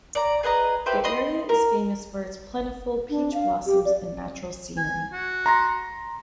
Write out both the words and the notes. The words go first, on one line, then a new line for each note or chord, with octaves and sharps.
The area is famous for its plentiful peach blossoms and natural scenery.
D5 A#5
G#4 B4 D#5 A#5
G4 B4 C5 E5
D#5 B5 C6
A#4
D4
F5
G4
D5
G#5
F#4
A#5 C6 A#6